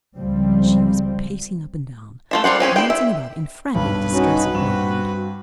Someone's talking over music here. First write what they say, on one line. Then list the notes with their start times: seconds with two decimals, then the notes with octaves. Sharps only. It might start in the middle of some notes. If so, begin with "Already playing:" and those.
She was pacing up and down, glancing about in frank distress of mind.
0.15 C#2 F3 G3 C4
2.31 A3 F4 E5
2.44 G3 F4 C5 F#5
2.60 C4 C#4 G#4 C5
2.76 E4 G5
2.90 E5
3.75 B1 G2 B4
4.12 C#4 D#4 F#4
4.54 G2 C4 F#4 E7